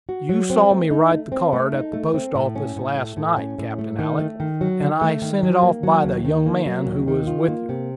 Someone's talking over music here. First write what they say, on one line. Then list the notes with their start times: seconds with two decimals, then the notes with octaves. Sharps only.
"You saw me write the card at the post-office last night, Captain Alick: and I sent it off by the young man who was with you."
0.09 F#4
0.29 F#3
0.50 C4
0.71 A3
0.91 D#4
1.11 A3
1.32 C4
1.53 A3
1.73 D#4
1.93 A3
2.14 C4
2.35 A2
2.55 C#4
2.76 A2
2.96 A3
3.17 A2
3.38 C#4
3.58 A2
3.78 A3
3.99 D#3
4.19 A3
4.40 D#3
4.61 F#3
4.81 D#3
5.01 A3
5.22 D#3
5.43 F#3
5.63 A#3
5.83 F#3
6.04 D#2
6.25 D#3
6.46 A#3
6.66 F#3
6.86 D#2
7.08 D#3
7.27 F4
7.48 A#3
7.69 C3